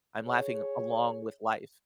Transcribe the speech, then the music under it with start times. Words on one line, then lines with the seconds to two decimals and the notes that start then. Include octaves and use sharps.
I'm laughing along with life.
0.21 G#4 C#5